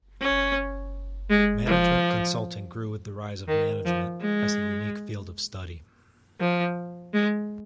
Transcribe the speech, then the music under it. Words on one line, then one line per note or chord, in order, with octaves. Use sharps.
Management consulting grew with the rise of management, as a unique field of study.
C#4
G#3
F3
D#3
F3
G#3
F3
G#3